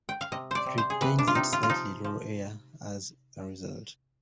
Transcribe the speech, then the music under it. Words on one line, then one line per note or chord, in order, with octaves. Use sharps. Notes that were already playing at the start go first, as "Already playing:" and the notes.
It retains its slightly rural air as a result.
G5
F5
C3 D#5
C5 D5
C3
C5
G#4
C3 B4
D4
F4
C3 D#4
F4
F4
F3 D#4
F3